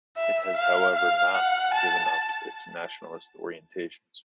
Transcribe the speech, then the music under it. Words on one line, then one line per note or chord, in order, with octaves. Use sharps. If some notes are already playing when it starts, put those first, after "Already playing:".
It has however not given up its nationalist orientations.
E5
F5
F5
F#5
A5